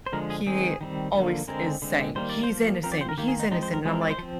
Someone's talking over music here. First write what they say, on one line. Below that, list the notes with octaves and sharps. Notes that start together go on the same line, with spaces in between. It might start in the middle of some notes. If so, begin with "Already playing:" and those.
he always is saying, "He's innocent. He's innocent." And I'm like,
C5
D3 F3 G#3 A#4
G#4
D#3 G#3 C4 G#4
D#3 G3 C4
D3 F3 A#3
D3 G#3 C4 A#4
D3 G#3 C4
D#3 G3 A#3 C5
D5
C5
F3 A#3
F3 C4 A#4
D5
C5
A#4
D#3 A#3 G4
G#4
D#4
F3 G#3 C4 D#4
C5
A#4
F3 G#3 C4 G#4
A#4
D5
C5
F3 C4